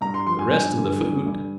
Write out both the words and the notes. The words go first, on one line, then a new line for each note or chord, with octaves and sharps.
"The rest of the food?"
G2 A#5
C6
F3 C6
G#5
G2 G#5
D3
G2
G2